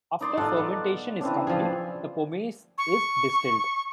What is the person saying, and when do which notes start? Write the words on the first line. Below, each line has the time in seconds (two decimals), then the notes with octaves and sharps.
After fermentation is complete, the pomace is distilled.
0.21 D#4 D5 C6
0.37 D#4 F4 A4 D5 F#5
0.57 B3
1.21 C#3 E3 C4 D4
1.47 F3 G#4
2.78 C#6